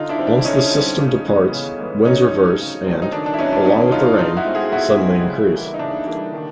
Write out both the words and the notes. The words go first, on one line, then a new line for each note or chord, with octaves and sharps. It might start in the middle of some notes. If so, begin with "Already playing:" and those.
Once the system departs, winds reverse and, along with the rain, suddenly increase.
Already playing: D3 D#4 F4
D4 E4
G3 C4
D4
E4
D3 C#4 D#4
G3 C4
C#3
E3 G#3 B3
C#3
E3 G#3 B3
C#3 C#4 D#4
F#3 A3 C4
C#3
F#3 A3 C4
D#4
D#3 D4
D4
E4
F#3 B3 C#4 D#4
D4
D#3 C#4 D#4
F#3 B3 D#4 F4
B2 D#4 F4
E4 F#4
G#3 C4
F#4 G#4
B2 E4 F#4
G#3 C4
C#3
E3 G3 A#3
D#4
C#3 D4
E3 G3 A#3
D#3